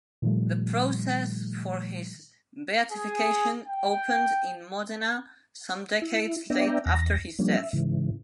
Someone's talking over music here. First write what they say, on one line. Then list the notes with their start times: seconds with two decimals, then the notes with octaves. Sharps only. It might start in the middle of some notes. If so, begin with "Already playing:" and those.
The process for his beatification opened in Modena some decades after his death.
0.22 A#2 D#3 F3 G3 A3
2.92 G#4
3.68 G5
6.02 E4
6.50 B3 D4 D5 E5 G5 A#5
6.86 E2 A#6
7.39 F3 G3 A#3 C#4 D4
7.57 E5
7.73 G#2 C#3 E3